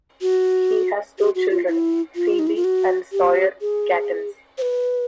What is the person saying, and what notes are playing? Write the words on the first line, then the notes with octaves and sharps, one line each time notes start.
He has two children, Phoebe and Sawyer Katims.
F#4
G4
F#4
F4
E4
F4
D#4
E4
F4
F#4
G4
G#4
C5
B4